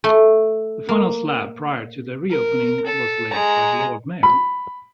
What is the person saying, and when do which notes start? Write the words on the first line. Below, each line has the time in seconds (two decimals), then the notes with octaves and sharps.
The final slab prior to the reopening was laid by the Lord Mayor.
0.04 A3
0.89 A#3
2.30 A#4
2.86 A4
3.33 G#3 A#5
4.23 B5